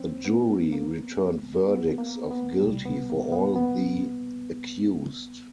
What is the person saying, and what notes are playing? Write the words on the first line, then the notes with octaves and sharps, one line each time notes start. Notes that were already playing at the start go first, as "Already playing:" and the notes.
The jury returned verdicts of guilty for all of the accused.
Already playing: F#3 C4 C#4
B3
A#3
B3
A#3
B3
C2 B2 G3
B3
A#3
B3
B3